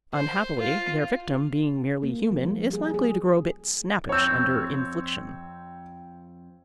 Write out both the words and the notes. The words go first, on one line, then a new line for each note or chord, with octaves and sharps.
Unhappily, their victim being merely human, is likely to grow a bit snappish under infliction.
C5
F4
A#3
F3
G3
G#4
G#4
F2 C4 C#5 E6